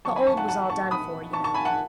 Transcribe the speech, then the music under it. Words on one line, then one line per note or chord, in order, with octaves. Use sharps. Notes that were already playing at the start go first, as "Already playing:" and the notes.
The old was all done for, you know.'
D#2 D#3 F#3 A5 C#6
G#5 B5
A5 C#6
F#5 A5
F#5 A5
A5 C#6
B5 D#6
A5 C#6
A5 C#6
G#5 B5
F#5 A5